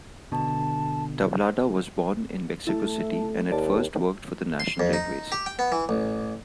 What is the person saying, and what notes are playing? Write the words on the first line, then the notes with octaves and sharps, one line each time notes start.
Tablada was born in Mexico City and at first worked for the national railways.
B2 D3 A5
A3 E4 E5 A5
D#2 D5 A5
C6
F2
D#4
G4
G5
B3
E3
A1